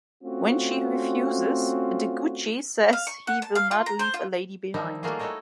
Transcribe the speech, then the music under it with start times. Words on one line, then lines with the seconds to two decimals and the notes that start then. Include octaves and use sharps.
When she refuses, De Guiche says he will not leave a lady behind.
0.24 A3 C4 C#4 F4 F#4
2.93 F5
3.07 C#6
3.27 F#5
3.42 A5
3.55 F5
3.71 F4
3.86 A#5
3.99 C5
4.14 F4
4.74 D#3 F3 G3 D#4 E4
5.03 G3 A3 A#3 F4 F#4 G#4
5.19 D#4 E4 F#4 A4 C#5 D#5